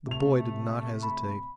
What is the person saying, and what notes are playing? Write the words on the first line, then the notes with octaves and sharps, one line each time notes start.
The boy did not hesitate.
C3 A3 F7
B5